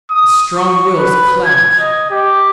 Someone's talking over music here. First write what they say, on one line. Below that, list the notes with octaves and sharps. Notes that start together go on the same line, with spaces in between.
The strong wills clashed.
D#6
C#6
B4
G#6
D#5
G4